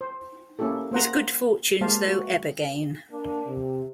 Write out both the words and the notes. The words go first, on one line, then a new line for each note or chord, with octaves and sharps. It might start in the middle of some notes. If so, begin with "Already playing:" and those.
His good fortunes, though, ebb again.
C5
A#3 C#4 E4 G4 A4
A#3 C5 F#5 A#5
G#3 A#3 G4 C5 F5 A5
F#4
A#3 D4
C3